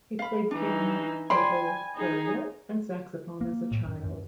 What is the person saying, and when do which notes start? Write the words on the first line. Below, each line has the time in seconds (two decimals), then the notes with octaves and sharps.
He played piano, oboe, clarinet, and saxophone as a child.
0.19 F5 B5
0.51 E3 D4 D#4
1.30 D5 G5 G#5 B5 C6
1.96 D#4 G#4
3.41 A#3
3.71 A2
3.85 F#2
4.04 F#2